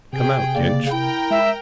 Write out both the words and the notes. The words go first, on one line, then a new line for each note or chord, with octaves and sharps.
Come out, Kinch.
C3 G#4 G5
C#3 A#3 D5
E4 A#4 G5
G#3 E5